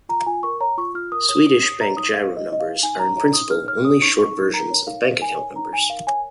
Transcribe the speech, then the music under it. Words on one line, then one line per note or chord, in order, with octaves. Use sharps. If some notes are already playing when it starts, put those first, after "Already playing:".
Swedish Bankgiro numbers are in principle only short versions of bank account numbers.
F4 A#5
F4 G#5
A#4 C#6
C#5 A#5
F4 C#6
F4 F6
A#4 D#6
C#5 D#6
D#4 D#6
C#5 D#6
C#5 A#5
D#4 D#6
D#4 F5
C#5 D#5
C#5 D#5
F5
D#4
D#4 G#5
C#5 A#5
C#5 A#5
D#4 D#6
D#4 F6
C#5 F6
C#5 D#6
D#4 C#6
D#4 C#6
D#4
A#4 A#5
C#5
D#4 F5
D#4
A#4 G#5
C#5
D#4 A#5
D#4 G#5
A#4 F5
C#5 G#5